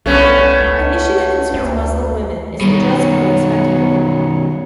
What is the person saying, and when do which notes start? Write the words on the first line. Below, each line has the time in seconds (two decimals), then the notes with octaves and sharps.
An issue that concerns Muslim women is the dress code expected of them.
0.06 C2 A3 B3 C#4
0.60 C#2
1.54 D2
2.61 B2 D#3 G3 B3 C#5